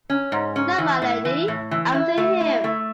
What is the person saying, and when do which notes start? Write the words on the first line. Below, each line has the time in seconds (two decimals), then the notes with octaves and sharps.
No, my Lady, I've seen him!
0.10 C#4
0.32 G#2
0.56 C#4
0.78 E3
1.02 A2
1.25 E3
1.48 A2
1.71 E3
1.94 E4
2.18 A3
2.41 E4
2.64 A3